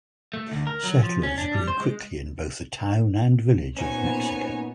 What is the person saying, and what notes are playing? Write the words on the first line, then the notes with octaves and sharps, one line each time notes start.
Settlers grew quickly in both the Town and Village of Mexico.
A3
D2
A#4
F#3
F3
C#4
D4
G3
C5
G#3
A#2 B3 C#4 D#4 F#4 C5 C#5 G#5